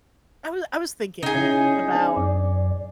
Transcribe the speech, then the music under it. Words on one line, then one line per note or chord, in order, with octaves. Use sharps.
I wa I was thinking about
C#3 D#4 G#4
C#4 E4
C4 D4
F#2 D5